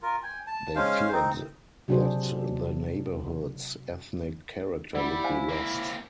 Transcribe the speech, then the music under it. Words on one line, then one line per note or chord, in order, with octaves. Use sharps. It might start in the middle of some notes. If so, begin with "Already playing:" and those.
They feared that the neighborhood's ethnic character would be lost.
F4 A#4
G5 G#5
A5
G#3 C#4 C5 F5
C4 D#4
C3 F#3 D4 F#4 G#4 C5
G3 E4 D5 F#5
C5 F5 G#5
A#3 C4